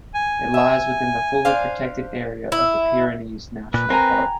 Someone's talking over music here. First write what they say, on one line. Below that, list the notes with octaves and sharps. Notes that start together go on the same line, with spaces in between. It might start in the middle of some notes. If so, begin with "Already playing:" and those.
It lies within the fully protected area of the Pyrenees National Park.
G#5
E5
D4 C5 F5
E4
A#2 B4
C4 A#4 G5 G#5 A#5